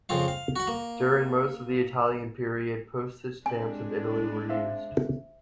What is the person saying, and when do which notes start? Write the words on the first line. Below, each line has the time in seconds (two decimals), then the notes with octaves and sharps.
During most of the Italian period, postage stamps of Italy were used.
0.09 F2 C#3 C4 F4 F5
0.28 F5
0.56 F#4 F#5
0.67 A#3
3.46 G#3 C4 D4 G4 D5 G#5
4.50 C5 E5 F5